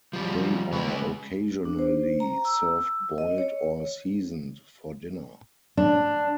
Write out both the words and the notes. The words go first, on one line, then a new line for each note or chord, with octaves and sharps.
They are occasionally served boiled or seasoned for dinner.
F3 G3
C#3 G#3 B4
D4
C5
A#5
E6
D#5
C#5
D4